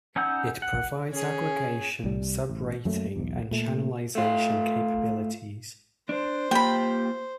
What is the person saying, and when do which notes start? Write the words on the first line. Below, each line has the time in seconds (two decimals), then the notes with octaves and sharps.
It provides aggregation, sub-rating and channelization capabilities.
0.16 C#4 D#4 F#5 E6 G6
0.62 F#5
1.12 C#4 G#4
2.04 C2 G3
2.49 A1
2.85 F#2 F#3 A3 A#3
3.16 B1 E2
3.51 A#2 A3
4.15 A3 F4
6.09 D4 C5
6.51 A#3 F4 G4 G5 B5